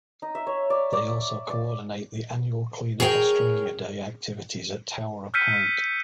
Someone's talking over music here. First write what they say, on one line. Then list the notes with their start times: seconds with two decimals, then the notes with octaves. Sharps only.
They also coordinate the annual Clean Up Australia Day activities at Towra Point.
0.22 D#4
0.35 E5
0.47 C#5
0.70 D5
0.93 D5
1.50 D5
3.00 G#4 A#4 C#5 F5 G5
5.34 E6 F6 G6 B6 C#7 D#7